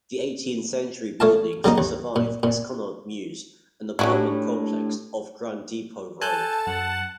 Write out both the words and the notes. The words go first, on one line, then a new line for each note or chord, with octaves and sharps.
The eighteenth-century buildings survive as Connaught Mews, an apartment complex off Grand Depot Road.
A3 C#5 F5 A5
C#3 F#3 A#3 D#4
D#2
A#2
A#2
A2 F#3 C#4 D4 E4 G4
A4 G#5 A5 F#6 G6
F#2 F#5